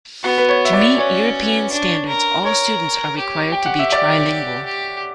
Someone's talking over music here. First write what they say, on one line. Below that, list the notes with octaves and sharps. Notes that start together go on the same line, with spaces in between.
To meet European standards, all students are required to be trilingual.
B3 F#4
B4
C#5
E5
D5
C#4 C#5
D4
A#4
A#4 C#5
G4
G5
F#5
E5
D5
G4